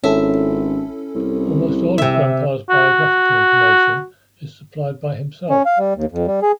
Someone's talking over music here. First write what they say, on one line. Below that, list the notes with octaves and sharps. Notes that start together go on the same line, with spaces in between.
Almost all of Grampa's biographical information is supplied by himself.
G#1 C#4 E4 A4 E5
C2
C3 E5
F#4
C#4
F5
G3
D#2
F2
G3
G#4